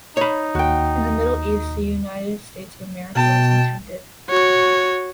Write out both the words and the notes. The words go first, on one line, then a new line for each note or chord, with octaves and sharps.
In the Middle East, the United States of America was intended.
D#4 C#5 B5
D#2 F#4 G5
B2 G5 A5
F#4 C#5